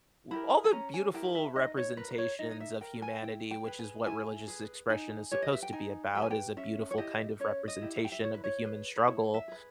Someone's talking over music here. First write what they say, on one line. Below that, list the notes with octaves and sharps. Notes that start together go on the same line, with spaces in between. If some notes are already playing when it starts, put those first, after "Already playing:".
we all the beautiful representations of humanity, which is what religious expression is supposed to be about, is a beautiful kind of representation of the human struggle.
E4 G4 A#4 B5
G#5
C#4 A#5
G#5
E4 G4 A#4 G5
E5
D#4 D#5
C#5
A#4 B4
B4
C#5
D#4 D#5
D#5
E5
A#4 G5
G#5
E4 G5
G5
G#4 B4
G#5
E4 G#5
G#4 B4
D#4 G#5
G4 B4 C#5
D#5
E5
G5
D#4 G#5
G4 B4 G5
G#5
G5
C#4 E5
C#5
E4 G4 D#5
C#4 C#5
D#5
E4 G4
E5
G5
E5
E4 C#5
B4
C#5
G#4 B4
B4
E4 C#5
E5
G#4 B4